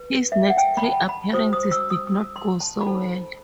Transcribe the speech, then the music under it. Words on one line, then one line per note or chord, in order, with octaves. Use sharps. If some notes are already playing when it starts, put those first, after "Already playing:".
His next three appearances did not go so well.
Already playing: B4
E5
F#5
G5
B5
A5
B5
F#4 C5 D#6
D#6
E6
D#6
C6
A5
B5
D#4 A4 C5 A5